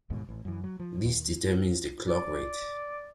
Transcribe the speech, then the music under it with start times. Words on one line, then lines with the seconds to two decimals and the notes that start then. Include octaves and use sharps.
This determines the clock rate.
0.10 A1 D#2 G#2 B2
0.29 A1
0.45 F#2 E3
0.64 F#3
0.80 F3
1.05 D#2
2.08 D5